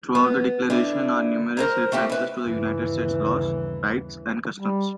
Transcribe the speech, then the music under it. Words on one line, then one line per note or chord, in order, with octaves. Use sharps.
Throughout the declaration are numerous references to the United States laws, rights, and customs.
B3
D3 E4
A#4 C5 A#5
A3 C4 F4 G4 A4
E4 B4
G1 D#2 C#3 E3
G3